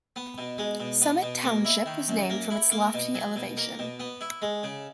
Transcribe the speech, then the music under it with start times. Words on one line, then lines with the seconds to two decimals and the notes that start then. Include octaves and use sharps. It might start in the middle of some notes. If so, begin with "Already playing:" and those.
Summit Township was named from its lofty elevation.
0.16 B3
0.38 B2
0.58 G#3
0.80 B2
1.02 B3
1.22 B2
1.44 A#3
1.65 E4
1.86 D#3
2.08 F#2
2.30 A#3
2.51 E4
2.71 A#3
2.94 B2
3.15 F#3
3.36 B2
3.57 A#3
3.79 B2
4.00 B3
4.21 E4
4.42 G#3
4.63 C#3